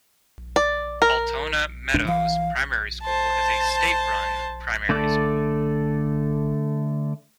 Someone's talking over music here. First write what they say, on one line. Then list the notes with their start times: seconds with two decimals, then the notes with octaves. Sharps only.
Altona Meadows Primary School is a state-run primary school.
0.56 D5
1.02 A#4
1.94 D1 C#2 D4
2.08 E3 F5
3.02 C5 A5
4.89 D3 A3 A4 D5 D6